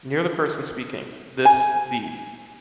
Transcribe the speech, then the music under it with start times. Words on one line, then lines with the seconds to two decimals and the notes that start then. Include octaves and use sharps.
Near the person speaking: “this”, “these”.
1.45 G#5